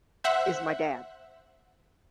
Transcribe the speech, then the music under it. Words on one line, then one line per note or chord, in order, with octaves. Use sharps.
is my dad.
C5 E5 F#5 F#6